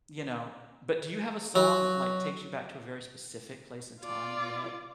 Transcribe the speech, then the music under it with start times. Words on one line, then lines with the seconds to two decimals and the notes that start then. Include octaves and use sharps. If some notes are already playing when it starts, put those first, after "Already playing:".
you know, but do you have a song that, like, takes you back to a very specific place and time in your head?
1.56 F#3
4.00 F4 D5